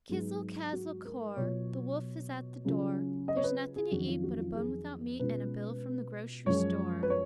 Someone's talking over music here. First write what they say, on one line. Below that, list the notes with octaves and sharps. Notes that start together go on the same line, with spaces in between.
"Kizzle-kazzle-kore; The wolf is at the door, There's nothing to eat but a bone without meat, And a bill from the grocery store."
G#2 F#3 B3 D#4 G#4
F#4
A#4
B2 F#3 B3 F4 C#5
C#3 F#3 C#4 F4
D#5
C#5
B4
G#4
F2 D#3 F#3 C#4 F#4
F4
F#4
F4
G#4
B2 G#3 C#4 F4 B4
F#2 F3 G#3 C#4 F4 C#5
B4
C#5